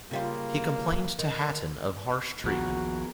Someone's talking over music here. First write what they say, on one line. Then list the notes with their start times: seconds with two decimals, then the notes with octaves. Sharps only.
He complained to Hatton of harsh treatment.
0.11 C#3 G3 A#3 F4
1.19 D#3
2.44 A#1 D#2 F3 B3 F#4 G#4 A#4